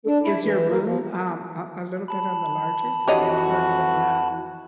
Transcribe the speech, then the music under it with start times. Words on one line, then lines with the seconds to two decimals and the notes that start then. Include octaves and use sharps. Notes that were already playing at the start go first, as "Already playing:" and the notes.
I is your room, um, a a little bit on the larger side or is it not
0.07 D4
0.24 E4
0.44 E3
0.69 A#3
0.84 F3
2.08 A5 B5
3.08 F2 E3 F#4 G4 C#5 D#5